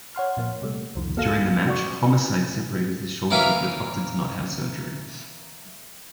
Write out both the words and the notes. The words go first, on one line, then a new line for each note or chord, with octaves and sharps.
During the match, Homicide separated his shoulder, but opted not to have surgery.
C#5 F#5 C6 F6
A#2 F3 A#3
C3 G3 A3
C2 F2 D#3 F3
A#3 F#4 A4 F5 A#6 E7
F#4 D5 C#6 D6
E3 A#3 C#4 F5 A#5 B5